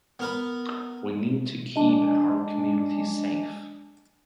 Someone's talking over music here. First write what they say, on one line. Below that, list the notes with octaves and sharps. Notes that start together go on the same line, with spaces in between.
We need to keep our community safe.
B3 A#4 B4
G#3 D4